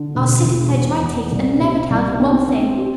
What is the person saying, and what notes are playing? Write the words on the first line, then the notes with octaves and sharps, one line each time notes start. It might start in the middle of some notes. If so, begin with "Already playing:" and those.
I'll sit and clench my teeth and never tell you one thing.
Already playing: D3
E1
E1
E2
E2
C2
C3
C2
C4
C4
G4